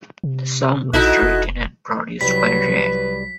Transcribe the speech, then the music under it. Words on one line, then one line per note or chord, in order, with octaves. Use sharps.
The song was written and produced by Rea.
C3
A#1 D#4 E4 F#4 A4 D#5 F#6
F1
C2 F#3 G3 B4 B5 B6